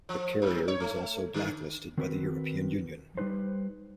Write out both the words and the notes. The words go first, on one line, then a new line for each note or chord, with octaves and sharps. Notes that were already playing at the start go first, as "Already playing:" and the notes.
The carrier was also blacklisted by the European Union.
F3
G2
C#5
A3
D3
D#3 C4 F#4 G#4 A#4 B4
G3 B3 D#4 B4 C5